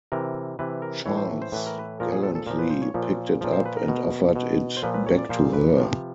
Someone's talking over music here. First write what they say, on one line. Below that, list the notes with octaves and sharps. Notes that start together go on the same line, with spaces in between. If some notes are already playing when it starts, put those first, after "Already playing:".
Charles gallantly picked it up and offered it back to her.
C3 E3 A#4
C3 E3 B4
A#4
A2 E3 C#5
C5
C5
A2 E3 B4
A#4
B4
A#2 F3 A#4
G#4
A4
A4
A#2 F3 A#4
B4
C5
C#5
A#2 F3
A#2 F3
C5
B4
A#4
B2
B2
C5
A#2 F3 B4
B4
C#5
D5
A#2 F3 C5
B4
C3 F3